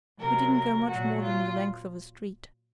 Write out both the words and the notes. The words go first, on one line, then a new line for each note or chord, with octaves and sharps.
We didn't go much more than the length of a street.
C3 F#3 A#4
A#4
A#2 F#3 F#4
F4